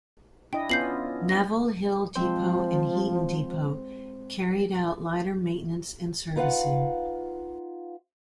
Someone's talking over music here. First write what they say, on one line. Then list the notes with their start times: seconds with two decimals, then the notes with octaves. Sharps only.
Neville Hill Depot and Heaton Depot carried out lighter maintenance and servicing.
0.53 D4 E4 D#5 G5
0.70 B3 C#4 F4 G6 C7 F#7
1.29 A#6
2.16 F3 G#3 C4 C5
6.36 D#4 F4 B4 D5 F5 F#5